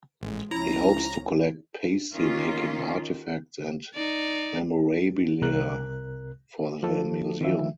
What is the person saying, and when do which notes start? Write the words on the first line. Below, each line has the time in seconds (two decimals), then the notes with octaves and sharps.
He hopes to collect pasty-making artifacts and memorabilia for the museum.
0.21 A1 G#3
0.51 C#2 F3 C#4 E4 A#5
2.14 D#3 A#3 C#4 F4
3.94 D#4 D5
5.42 C2 C3 A#4 F#6
6.83 F3 A4
7.41 D#3 F3 E5